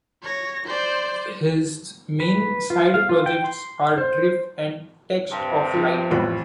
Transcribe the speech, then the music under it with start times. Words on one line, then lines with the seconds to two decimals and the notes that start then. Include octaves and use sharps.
His main side projects are Drift and Text of Light.
0.23 C#5 A#6
0.65 C5 D5
2.20 B4
2.70 F4
2.94 F5
3.09 F4
3.26 G5
3.44 C6
3.98 C5
5.31 G2 C3
5.73 F3
6.11 A1 F2 F#6